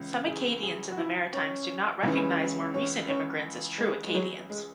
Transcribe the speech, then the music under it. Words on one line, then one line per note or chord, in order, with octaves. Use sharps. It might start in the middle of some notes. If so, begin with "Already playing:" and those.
Some Acadians in the Maritimes do not recognize more recent immigrants as true Acadians.
Already playing: C#2 C#3 E3
G#4
G#4
F#4
E4
C#4
C#2 C#3 E3
C#4
C#4
G#3
G#3
F#3
G#3